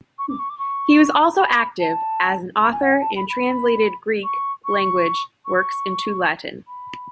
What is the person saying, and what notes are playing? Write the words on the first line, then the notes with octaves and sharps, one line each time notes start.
He was also active as an author, and translated Greek language works into Latin.
C#6
D6
C#6
D6
C#6
B5
A5
B5
G#5
F#5
G#5
A5
B5
B5
C#6
C#6
C#6
B5